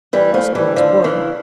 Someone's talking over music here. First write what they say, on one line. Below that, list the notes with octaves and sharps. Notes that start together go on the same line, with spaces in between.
Most girls would.
E3 G3
F3 A3
E3 G3
D3 F3
C#3 E3